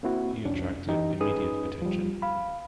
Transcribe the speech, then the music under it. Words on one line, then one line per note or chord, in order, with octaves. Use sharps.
He attracted immediate attention.
A#3 C4 E4 F#4
C2 F2 C#4 D4
E3 D#4 G4
C#4 D#4 G#4 B4 D#6
F3 G3
F5 B5